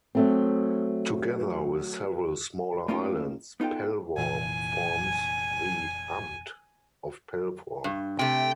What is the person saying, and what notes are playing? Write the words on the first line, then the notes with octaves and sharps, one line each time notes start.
Together with several smaller islands, Pellworm forms the "Amt" of Pellworm.
F#3 A3 C4
A3 A#3 C#4 D#4 F4 G4
B3 D#4 F4 A4 G5
F1 A#2 E3 G#5
G2
C3 A3 G5